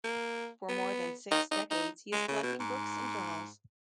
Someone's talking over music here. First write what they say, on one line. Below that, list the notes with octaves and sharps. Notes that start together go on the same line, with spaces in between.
For more than six decades he is collecting books and journals.
A#3
B3
D#4
D#4
D#4
G#3
C#3
B2
G#2